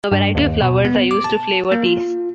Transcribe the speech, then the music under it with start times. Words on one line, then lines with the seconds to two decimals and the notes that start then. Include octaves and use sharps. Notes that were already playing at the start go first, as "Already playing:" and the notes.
A variety of flowers are used to flavour teas.
0.12 G2
0.35 D#2
0.62 B2
0.85 B3
1.11 D6
1.24 A5
1.72 A#3
1.86 F4